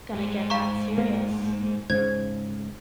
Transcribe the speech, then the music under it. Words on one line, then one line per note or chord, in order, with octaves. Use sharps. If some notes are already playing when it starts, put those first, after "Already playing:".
gonna get that serious.
G#2
F5 A#5 C#6
A#3
G#2 C#3 C5 G#6